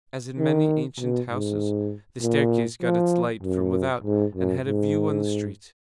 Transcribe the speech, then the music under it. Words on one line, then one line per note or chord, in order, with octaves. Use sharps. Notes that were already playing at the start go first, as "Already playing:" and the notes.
As in many ancient houses, the staircase got its light from without and had a view on the street.
D#3
B2
G#2
A#2
F3
F#2
G#2
F#2
G#2